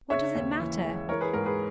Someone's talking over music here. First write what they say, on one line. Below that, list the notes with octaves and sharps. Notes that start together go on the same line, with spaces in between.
What does it matter?
C#3 C#5 E5
D#2
E3
G#3
E3 A#4 C#5
G#4 B4
G#2 A#4
G#4 B4